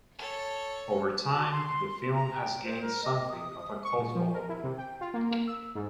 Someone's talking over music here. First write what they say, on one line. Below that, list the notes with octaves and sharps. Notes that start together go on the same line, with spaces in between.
Over time, the film has gained something of a cult following.
A4 C#5
F#4
C6
A#5
G5
C5
A#4
D#5
D#6
C#6
A#2
F3
A#4
E4
C3
G5
F4
A#3
A#3
E6
G#2